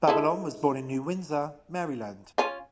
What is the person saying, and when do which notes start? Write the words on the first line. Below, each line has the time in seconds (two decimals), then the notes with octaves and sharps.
Babylon was born in New Windsor, Maryland.
0.07 G#3 E4 A4
2.38 C#4 F4